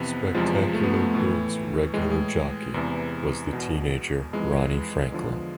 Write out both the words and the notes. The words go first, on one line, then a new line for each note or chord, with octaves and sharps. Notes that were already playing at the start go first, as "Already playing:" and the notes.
Spectacular Bid's regular jockey was the teenager Ronnie Franklin.
Already playing: F2 C3 E3 B3
E2 C3 F3 G#3
A3
B3
A3
A2 E3
A2 E3 G#3
G#3
E2 C3 E3
E2 B2
F2 E3 G#3
E2 D3 F3